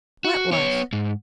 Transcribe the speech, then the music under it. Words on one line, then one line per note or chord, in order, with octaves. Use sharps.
"What was?"
F#4
B3 C#5
G#2